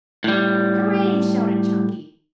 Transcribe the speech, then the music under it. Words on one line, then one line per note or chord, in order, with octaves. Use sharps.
"Hooray!" shouted Chunky.
A2 G3